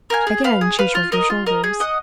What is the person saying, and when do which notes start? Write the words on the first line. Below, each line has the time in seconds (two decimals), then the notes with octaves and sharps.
Again she shrugged her shoulders.
0.10 A#4 F5 G#5
0.27 G#4
0.44 B4 F5
0.61 G#4
0.79 B4 F5
0.95 F4
1.12 A#4 D#5
1.30 F4
1.46 A#4 D#5
1.64 G#4
1.80 D#5 F#5